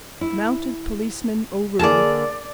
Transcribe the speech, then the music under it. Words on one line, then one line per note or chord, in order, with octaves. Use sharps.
Mounted Policeman O'Roon.
E4
D3 A#3 G#4 D5 A5